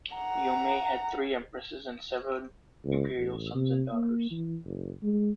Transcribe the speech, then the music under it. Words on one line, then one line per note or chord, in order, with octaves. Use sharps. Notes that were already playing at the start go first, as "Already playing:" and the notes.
Yomei had three Empresses and seven Imperial sons and daughters.
F#5 A#5
C#2
A1
C3
A#3
E3
F#1
G#3